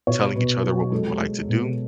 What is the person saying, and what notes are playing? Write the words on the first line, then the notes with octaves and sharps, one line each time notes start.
telling each other what we would like to do
B2 C#5
B2 B4
F#3
G#3 A4
G#3
B2